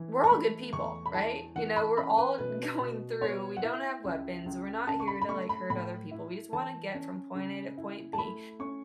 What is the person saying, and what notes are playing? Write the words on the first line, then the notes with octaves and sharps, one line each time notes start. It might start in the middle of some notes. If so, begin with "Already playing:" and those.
we're all good people, right? You know, we're all going through we don't have weapons, we're not here to, like, hurt other people, we just wanna get from point A to point B,
Already playing: E3 E4
C#6
A3 B5
E2 C#6
B5
E4 A5
E3 F#5
B5
C#4 B5
B4
B2 B4
B2
B3 C#5
F#5
E4 E5
C#2
C#2
C#3 A5
C#6
B5
B5
A3 C#6
B5
A2 B5
E4
E3 A5
C#4
C#3
E4
A5
A3 B5
C#4 C#6